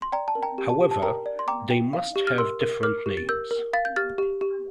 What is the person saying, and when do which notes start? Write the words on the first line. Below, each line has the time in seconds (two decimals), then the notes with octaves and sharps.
However, they must have different names.
0.02 C6
0.12 D5 G5 A#5
0.28 A5
0.35 A#4
0.43 G5 A#5
0.58 G4
0.69 A5
0.81 G4
0.91 A5
1.03 A#4 G5 A#5
1.26 D5
1.39 C6
1.48 G5 A#5 D6
1.70 G5
1.93 F5
2.16 G4
2.27 F6
2.38 A#4 C6 E6
2.61 A#4
2.83 A#4 D6 F6
3.06 G4
3.17 A6
3.29 A#4 E6 G6
3.51 A#4
3.73 F5 A6
3.85 G6
3.96 G4 F6 A6
4.18 G4
4.41 G4